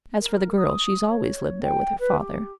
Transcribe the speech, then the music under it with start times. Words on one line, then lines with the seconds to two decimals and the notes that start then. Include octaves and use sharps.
As for the girl, she's always lived there with her father.
0.20 A#4
0.57 D#6
1.09 C#5
1.62 G5
1.99 B4
2.19 G4